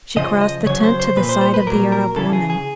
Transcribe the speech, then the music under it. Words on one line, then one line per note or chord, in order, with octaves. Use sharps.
She crossed the tent to the side of the Arab woman.
C#3 F3 D#5
D#5
C#3 F#3 C#5
C5
C5
A#2 F3 B4
C5
C5
B4
A#2 F#3 A#4
A#4
C#3 E3 A4
G#4
G#4